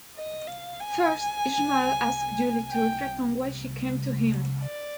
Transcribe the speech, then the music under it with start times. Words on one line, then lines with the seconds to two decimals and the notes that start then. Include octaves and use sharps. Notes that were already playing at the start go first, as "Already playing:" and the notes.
First, Ishmael asks Julie to reflect on why she came to him.
0.16 D#5
0.48 F5
0.80 G#5
2.71 G5
4.63 D5